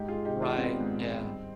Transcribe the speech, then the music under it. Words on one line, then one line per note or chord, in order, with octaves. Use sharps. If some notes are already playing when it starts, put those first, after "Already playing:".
Right, yeah.
Already playing: G#2 D#4 G4
F4 G#4
G#3
D#4 G4
D#3
D4 F4
D4
B3 C4 D#4
G#2
G#3
G2